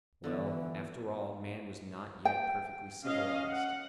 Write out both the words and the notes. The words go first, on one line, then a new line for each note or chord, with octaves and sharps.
Well, after all, man was not yet perfectly civilised.
D3 E3 F3 B3
G5
C#4 D#5 F5
F#5